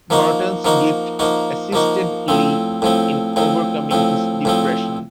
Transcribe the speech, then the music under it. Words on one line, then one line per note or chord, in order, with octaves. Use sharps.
Burton's gift assisted Lee in overcoming his depression.
F3 A#3 D#4 F#4
F3 A#3 D#4 F#4
F3 A#3 D#4 F#4
F3 A#3 D#4 F#4
A2 F3 C4
A2 F3 C4
A2 F3 C4
A2 F3 C4
A2 F3 C4